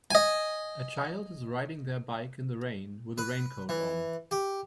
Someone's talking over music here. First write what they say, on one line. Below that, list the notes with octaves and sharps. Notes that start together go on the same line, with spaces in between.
A child is riding their bike in the rain with a raincoat on.
D#5 G#5
B4
E3
G4